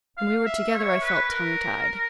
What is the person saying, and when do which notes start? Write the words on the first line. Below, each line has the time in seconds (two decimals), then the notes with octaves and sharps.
When we were together I felt tongue-tied.
0.17 F5
0.46 E5
0.74 C#5
1.01 B4
1.29 A#4